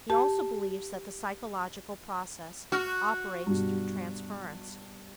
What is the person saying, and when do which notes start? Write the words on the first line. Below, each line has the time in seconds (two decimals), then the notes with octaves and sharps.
He also believes that the psychological process operates through transference.
0.10 G4 A5
2.72 F#4 F6
3.46 G2 B2